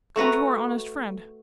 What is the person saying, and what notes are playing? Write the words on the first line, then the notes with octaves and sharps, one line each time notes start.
Come to our honest friend.'
A3 F#4 B4 A#5